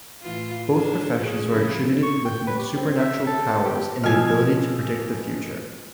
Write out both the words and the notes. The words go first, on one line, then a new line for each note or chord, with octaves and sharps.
Both professions were attributed with supernatural powers and the ability to predict the future.
A2 E3 F4
D4 G#4 A#4
C#4 G#4
C#3 F3 E4
C#6
G5
B4
G4
C4
E5
A4
G4
B2 E3 F3 G#5 F6